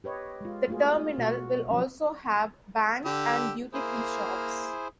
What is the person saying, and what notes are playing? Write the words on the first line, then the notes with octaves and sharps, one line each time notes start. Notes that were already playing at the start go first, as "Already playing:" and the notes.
The terminal will also have banks and duty-free shops.
G4 B4 C#5 D#5
G#3 F4
A3 A#3 F4 F#4 G#4
B2 F#4
F3 F#3 C#4
D3 G4 E6
A#3 E4 G#4 C5